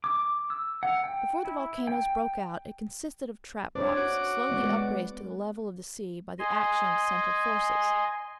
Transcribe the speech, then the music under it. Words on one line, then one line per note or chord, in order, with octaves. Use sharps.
Before the volcanoes broke out it consisted of trap rocks slowly upraised to the level of the sea by the action of central forces.
D6
E6
F#5
G5
E4
G5
D4 C5 C#5
F#4 D6
G#3 B3 D5
D#5 G#5 C6